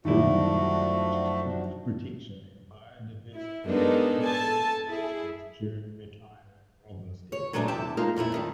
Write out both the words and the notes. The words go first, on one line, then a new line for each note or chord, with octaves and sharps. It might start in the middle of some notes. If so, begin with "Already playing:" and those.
Garner researched crop protection and biodiversity in agroecosystems during her time at Rothamsted.
F#2 D#3 F3 G3 A3 D4 E4 F#4
E4
G#3 B3 D4 D#4 A4 A#4
A4 G#5 A5
E4 G#4
C#5
A#2 F#3 G#3 A3 C#4 D4
E2 C3 G4 E5 A5
G#3 A#3 D#4 F4
F2 A#2 A3 E4
F2 D#3 G3